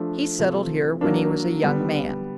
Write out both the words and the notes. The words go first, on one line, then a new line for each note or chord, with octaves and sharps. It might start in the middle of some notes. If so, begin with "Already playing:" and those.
He settled here when he was a young man.
Already playing: F3 A3 D4
C3 F3 A3
F#3 A#3 D4
D3 G3 B3